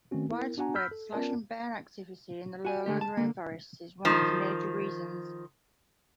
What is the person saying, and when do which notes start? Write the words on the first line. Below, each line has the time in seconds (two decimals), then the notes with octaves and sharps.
Widespread slash-and-burn activity in the lowland rainforests is one of the major reasons.
0.11 D#3 A3 C4 C#4 F#4
0.29 B3 E4 A#4
0.57 B3 D4 F#4 F#5 G#5 A#5
0.75 B5 E6 F6 G6 B6
0.91 A4
1.12 B3 C#4 F4 A#4 D5 A5
2.65 F#4 G#5
2.86 D3 A3 G4
3.01 A5
3.17 D3 A#3
4.05 D#3 F3